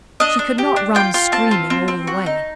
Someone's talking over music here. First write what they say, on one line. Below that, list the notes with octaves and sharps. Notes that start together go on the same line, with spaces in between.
She could not run screaming all the way.
D4 D#5
D4
G4
D4
F4 G5
F4 G5
C4 A5
F4
C4
C4
F#4
D#4